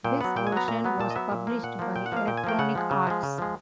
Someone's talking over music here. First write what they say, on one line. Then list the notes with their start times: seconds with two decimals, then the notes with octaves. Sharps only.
This version was published by Electronic Arts.
0.04 A#2 G5
0.21 F#3 B3 F#5
0.36 A#2 G5
0.47 G#5
0.52 F#3 B3 A#5
0.68 A#2 A#5
0.84 F#3 B3
1.00 A#2 A5
1.10 D#5
1.16 F#3 B3 E5
1.32 A#2
1.47 F3 A#3
1.63 A#2 F#5
1.79 F3 A#3
1.95 A#2 G5
2.06 F#5
2.12 F3 A#3 F5
2.27 A#2 G5
2.37 G#5
2.44 F3 A#3 G5
2.59 C#3 F#5
2.75 F3 G#3
2.91 C#3
3.07 F3 G#3
3.23 C#3
3.38 F3 G#3